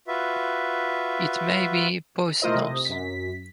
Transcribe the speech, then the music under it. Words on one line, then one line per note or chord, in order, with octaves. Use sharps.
It may be poisonous.
F4 F#4 B4 E5
A3 E4 F4 A#4 C5 D#5
C3 D#5
F#2 B6